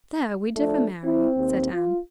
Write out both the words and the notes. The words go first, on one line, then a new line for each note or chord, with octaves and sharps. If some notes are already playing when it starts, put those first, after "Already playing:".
"There we differ, Mary," said Anne.
F3 A3 D4
C4 E4
D#2
F4